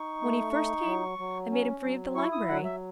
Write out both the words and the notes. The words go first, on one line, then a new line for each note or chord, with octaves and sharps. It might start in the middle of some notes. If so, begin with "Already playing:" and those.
When he first came, I made him free of the library.
Already playing: D#4 C#6
A3
D#4
F#3
F#3
C#4
F#3
E4 C#6
D#6
F#3 F#5
E5